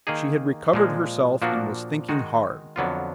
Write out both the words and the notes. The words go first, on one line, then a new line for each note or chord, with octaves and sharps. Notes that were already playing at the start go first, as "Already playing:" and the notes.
She had recovered herself and was thinking hard.
D#3 A#3 D#4 G#4
A#2 F3 G#3
A#2 F3 A#3 D4 F#4
D#3 G#3 D#4 F#4
F2 D3 F#3 B3 F4